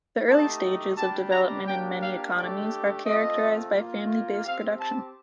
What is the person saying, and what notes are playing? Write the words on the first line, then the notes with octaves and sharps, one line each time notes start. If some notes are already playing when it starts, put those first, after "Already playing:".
The early stages of development in many economies are characterized by family based production.
A3 D#4 G4 A5
G3 D4 G4 A5
A#5
A#3 D4 G4 G5
F5
A3 D4 G4 D5
A3 C4 F4 D#5
A#3 F4
C4 G4 F5
A5